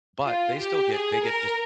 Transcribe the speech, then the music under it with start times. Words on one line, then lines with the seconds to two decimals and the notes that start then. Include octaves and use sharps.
but, they still get they get, just
0.23 F4
0.57 G4
0.91 G#4
1.25 A#4